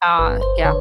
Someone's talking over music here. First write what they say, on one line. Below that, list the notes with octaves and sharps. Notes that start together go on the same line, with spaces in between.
Ah. Yeah.
G1 B4
C5
D3 C#5